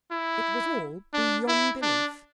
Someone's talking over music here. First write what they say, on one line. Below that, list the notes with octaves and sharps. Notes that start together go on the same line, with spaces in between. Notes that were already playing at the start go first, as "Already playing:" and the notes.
It was all beyond belief!
E4
D4
E4
D4